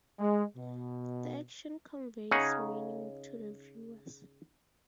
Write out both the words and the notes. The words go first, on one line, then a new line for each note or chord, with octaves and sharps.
The action conveys meaning to the viewers.
G#3
B2
C#3 C#4 D#4 G#4 F#5